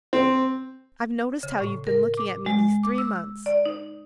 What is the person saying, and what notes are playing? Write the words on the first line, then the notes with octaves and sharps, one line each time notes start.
I've noticed how you've been looking at me these three months.
C4
C#3
A2
A#4
D6
G#3
D6
E6
D5
D#4